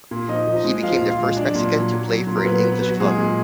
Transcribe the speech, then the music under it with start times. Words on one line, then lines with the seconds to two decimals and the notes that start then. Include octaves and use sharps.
He became the first Mexican to play for an English club.
0.11 A#2
0.28 F3 D#4 D#5
0.47 F3
0.56 D#4 D#5
0.64 G#3
0.83 F3 F4 F5
1.02 A#2
1.10 F4 F5
1.19 G#3
1.37 F#3 D4 D5
1.55 A#2
1.74 F#3
1.91 F#3
2.09 F#3
2.27 A#2
2.37 A#4
2.45 F#3 B3 B4
2.64 F#3
2.72 B3 B4
2.82 F#3
2.89 F#4
3.00 A#2 G#3 G#4
3.18 A#2